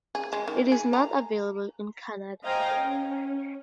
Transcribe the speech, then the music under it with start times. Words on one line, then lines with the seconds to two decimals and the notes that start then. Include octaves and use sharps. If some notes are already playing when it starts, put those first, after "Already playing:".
It is not available in Canada.
0.15 G#4
0.33 G#3
0.48 D#3
0.72 G#4
0.93 A#5
2.44 C5 D#5 F5 G5 G#5 A#5
2.76 C#4